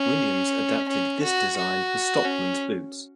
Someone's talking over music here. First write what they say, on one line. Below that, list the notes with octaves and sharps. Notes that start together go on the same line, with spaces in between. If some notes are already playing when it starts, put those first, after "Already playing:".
Williams adapted this design for stockmen's boots.
Already playing: C#4
C#4
F#4
F#4
C#4